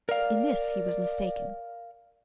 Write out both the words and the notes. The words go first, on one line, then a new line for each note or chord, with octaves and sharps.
In this he was mistaken.
A#4 D5 F5